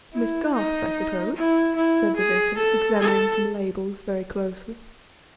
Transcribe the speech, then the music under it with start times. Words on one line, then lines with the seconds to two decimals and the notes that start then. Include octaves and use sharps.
"Miss Garth, I suppose?" said the Vicar, examining some labels very closely.
0.12 E4
0.53 D#4
1.35 E4
1.75 E4
2.17 G#4
2.57 A4
2.98 A4